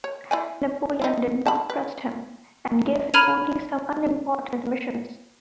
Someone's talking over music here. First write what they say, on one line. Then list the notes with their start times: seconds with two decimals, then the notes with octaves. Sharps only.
Napoleon did not trust him, and gave him only some unimportant missions.
0.04 C#5
0.31 E4 D5 G#5
1.02 D#4 E4
1.46 A5 B5
1.70 B4
3.14 A#5 B5 F6 G#6 D#7 F7